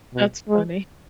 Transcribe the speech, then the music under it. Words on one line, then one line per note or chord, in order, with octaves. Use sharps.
That's funny.
B2
G#3